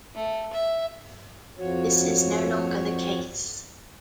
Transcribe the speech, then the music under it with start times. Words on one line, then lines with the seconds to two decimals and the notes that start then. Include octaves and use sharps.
This is no longer the case.
0.14 A3
0.53 E5
1.58 F2 F3 F#4 C#5